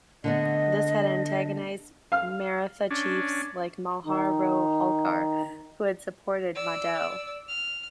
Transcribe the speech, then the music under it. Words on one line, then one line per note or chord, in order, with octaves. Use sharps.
This had antagonized Maratha chiefs like Malhar Rao Holkar, who had supported Madho.
D3 A3 B3 D#5
F5 F6
C#4 D4
D#3 D#4
D5 E6
F6